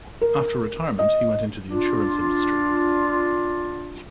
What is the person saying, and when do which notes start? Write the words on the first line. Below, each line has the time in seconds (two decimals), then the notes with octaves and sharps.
After retirement, he went into the insurance industry.
0.21 A#4
0.99 D#5
1.70 D4 F4